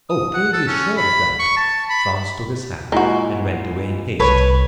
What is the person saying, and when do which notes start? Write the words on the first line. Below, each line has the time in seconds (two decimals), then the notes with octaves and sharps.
"Oh, pray be assured of that." Franz took his hat and went away in haste.
0.10 D#6
0.34 F#5
0.53 A4
0.67 C#4
0.97 B5
1.39 C#6
1.57 A5
1.90 B5
2.92 A#2 G#3 D#4 E4 F#4
4.20 C2 B4 C#5